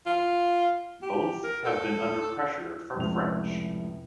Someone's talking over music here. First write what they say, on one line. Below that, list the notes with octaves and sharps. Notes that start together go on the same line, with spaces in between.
Both have been under pressure from French.
F4
G4
A#4
A4
F1 C#2 A2 C3 F7